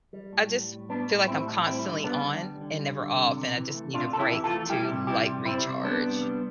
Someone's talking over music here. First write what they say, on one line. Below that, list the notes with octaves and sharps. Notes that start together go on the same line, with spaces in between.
I just feel like I'm constantly on and never off, and I just need a break to, like, recharge.
G3
A2
G3
A2
G3 B3 D4
A2
G3 C4 E4
A2
G3 C4 E4
D3
G3 B3 D4
D3
G3
D3
G3
D3
C3
C3
E3
A3
C3 D4 F4
C3 A4
E4 G4
E3
F4 A4
A3
G3 E4 G4
C3
G3 E4 G4
C3
G3 C4 E4
C3
G3 B3 D4
C3
G3